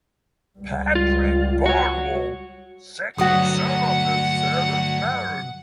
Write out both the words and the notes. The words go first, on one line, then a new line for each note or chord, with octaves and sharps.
Patrick Barnewall, second son of the seventh Baron.
C#2 G3
F4
F#4 C#5
D2 G2 F#3 F#4 F#5 D#6